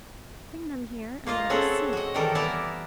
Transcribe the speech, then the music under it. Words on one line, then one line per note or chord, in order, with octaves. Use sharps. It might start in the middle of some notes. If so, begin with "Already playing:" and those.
Bring them here, and let us see.
A#3 F4 D#5 F5
C4 C#4 G#4 A4 E5 F#5
F#4 D#5
D#3 E3 G3 A4 A#4
B3 E4 A#4 D5 A5 A#5